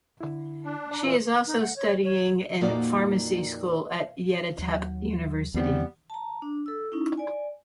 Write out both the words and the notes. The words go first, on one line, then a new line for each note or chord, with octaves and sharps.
She is also studying in Pharmacy School at Yeditepe University.
D3 E4
D4
D5 A#5
A#2 E3 F4 C5 E6
D#4
F#5
C#5
C#5
F2 A#2 A#3 D#4 F#4 D5
D#2 F#3
E2 G3 B3 C4
A5 A#5
D4
A4 E6
C#4 D#4 E4
D5 G#5